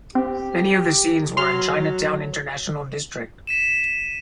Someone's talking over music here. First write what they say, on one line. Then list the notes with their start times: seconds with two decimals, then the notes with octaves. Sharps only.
Many of the scenes were in Chinatown–International District.
0.15 C4 G4
1.37 F#3 C6 F6
3.47 B6 D#7 E7